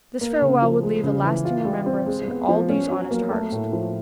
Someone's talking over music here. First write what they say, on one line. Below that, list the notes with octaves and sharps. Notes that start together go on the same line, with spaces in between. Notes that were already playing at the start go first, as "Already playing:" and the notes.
This farewell would leave a lasting remembrance in all these honest hearts.
A#3
C#3
F3
G#3
C#3
E3
F4
G3
C4
G#3
B3
F3
C#4
F#3
A#3
A3
A2
F3